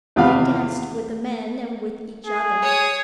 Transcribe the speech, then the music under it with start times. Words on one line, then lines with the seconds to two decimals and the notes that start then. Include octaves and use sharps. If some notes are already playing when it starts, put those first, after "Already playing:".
They danced with the men and with each other.
0.16 G#1 E2 C3 F4 F5 B5
2.26 G#4
2.62 C#5 D#6